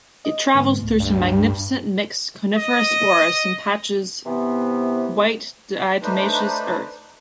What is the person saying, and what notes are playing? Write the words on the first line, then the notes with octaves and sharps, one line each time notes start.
It travels through some magnificent mixed coniferous forest and patches white diatomaceous earth.
D#5
G#2 D3 B3
C#2 A2
G2
D#5
C3 E3 B3
A3 D4 D#4 B4 C5